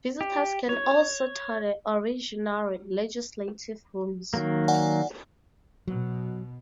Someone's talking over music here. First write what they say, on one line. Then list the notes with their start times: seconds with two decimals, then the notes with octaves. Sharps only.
Visitors can also tour the original legislative rooms.
0.21 G4
0.69 C#5
4.34 D#3 F#3 A#3
4.68 D5 F#5 G#5
5.88 B2 F#3